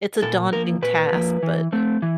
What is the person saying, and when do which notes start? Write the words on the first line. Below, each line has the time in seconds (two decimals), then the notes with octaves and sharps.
it's a daunting task, but
0.22 A#2 A4
0.52 F3 A#3 A#4
0.82 A#2 B4
1.12 F3 A#3
1.43 E3
1.72 A3 C4
2.02 E3